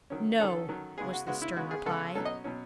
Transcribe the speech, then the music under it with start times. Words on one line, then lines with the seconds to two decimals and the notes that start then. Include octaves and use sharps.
"No," was the stern reply.
0.10 D#3 F#3 C#4
0.39 D#3 F#3 C#4 A4
0.69 D#3 F#3 C#4
0.98 C#3 G#3 B3 G#4
1.13 F#4
1.27 C#3 G#3 B3 F#4
1.42 E4
1.56 C#3 G#3 B3 F#4
1.71 G#4
1.86 C#3 G#3 B3 A4
2.15 B2 F#3 C#4 A4
2.25 D#5
2.44 B2 F#3 C#4